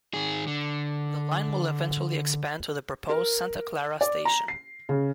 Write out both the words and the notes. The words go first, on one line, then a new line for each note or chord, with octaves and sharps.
The line will eventually expand to the proposed Santa Clara station.
D#3 G#4
D3
A#4
D5
A#5
C7
C#3